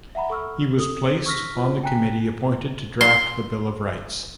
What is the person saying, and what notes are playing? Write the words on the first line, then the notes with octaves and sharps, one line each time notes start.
He was placed on the committee appointed to draft the Bill of Rights.
E5 F#5 A#5 B5
A4 C#6 E6 F6
A4 D#6
C#6 E6 F6 A#6 B6
F4 C5
G5 G#5 A#5 F#6 B6
C6